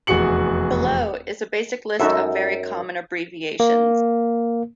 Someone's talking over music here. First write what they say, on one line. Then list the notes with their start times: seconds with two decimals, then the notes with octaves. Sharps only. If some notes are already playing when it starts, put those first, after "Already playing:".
Below is a basic list of very common abbreviations.
0.07 F1 E2 F#4 G#4 C#7 F#7
2.00 F#2 D#4 F#4 A4 E5
3.60 A#3